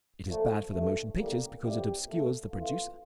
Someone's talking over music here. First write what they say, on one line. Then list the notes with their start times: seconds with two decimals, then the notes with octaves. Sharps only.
It is bad for the motion pictures because it obscures the producer.
0.27 A#2 F3 A3
0.72 G2 E3 A3
1.16 E2 C#3 G3 A#3 A4
1.61 F2 E3 G3 G4
2.06 A#2 A3
2.51 F2 E3 A3 F4